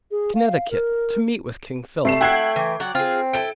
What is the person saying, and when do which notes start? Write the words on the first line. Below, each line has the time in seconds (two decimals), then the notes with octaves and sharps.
Connecticut, to meet with King Philip.
0.11 G#4
0.35 F5
0.71 A#4
2.05 C3 A3 C7 E7
2.21 E4 F#5 G5 G#6 C7
2.56 E3
2.80 F#3 D5 F#5
2.95 C4 F4 G#4
3.33 E4 A4 G5 D7